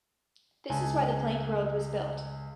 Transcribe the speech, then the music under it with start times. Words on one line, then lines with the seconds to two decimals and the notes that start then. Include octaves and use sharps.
This is why the Plank Road was built.
0.70 C#2 G#5 A5